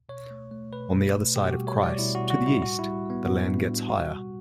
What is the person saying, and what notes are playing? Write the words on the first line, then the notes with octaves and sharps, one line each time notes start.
On the other side of Chryse, to the east, the land gets higher.
B2 C#5
A3
A3
B2 B4
B2
A3
B2 G4
F#4
G3
C#5
G3
D5
B2 E4
F#4
B2
F#4
G3
E4
A2 F#4
E4
G3
G3 B3
A2 B3
A2 D4
G3
B2 F#4
G3